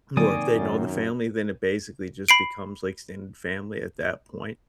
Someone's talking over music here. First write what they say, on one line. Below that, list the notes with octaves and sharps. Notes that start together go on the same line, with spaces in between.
or if they know the family, then it basically just becomes like extended family at that point.
D3 D#3 F#3 A#3 C4 D5 G#5 D#6
F#2
B5 C7 D7